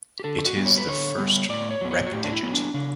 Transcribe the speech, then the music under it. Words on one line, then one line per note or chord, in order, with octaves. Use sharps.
It is the first repdigit.
G4
D3 A4
F#4
G3 B3
C#5
B4
D3 C#5
G3 B3
A2 D5
C#5
F#3 B3
C#5
F#4
A2 G4
D4
E4
F#3 B3
D4
C#3 D4